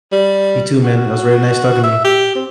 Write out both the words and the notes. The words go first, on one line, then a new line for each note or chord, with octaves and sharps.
You too, man. It was very nice talking to you.
G3
F#4
E5
G4
C4